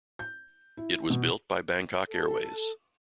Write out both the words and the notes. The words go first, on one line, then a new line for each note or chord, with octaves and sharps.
It was built by Bangkok Airways.
G6
E4
B2
A4